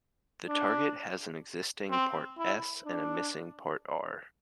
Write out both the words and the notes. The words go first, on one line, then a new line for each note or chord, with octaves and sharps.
The target has an existing part "S" and a missing part "R".
D4
C4
E4
D4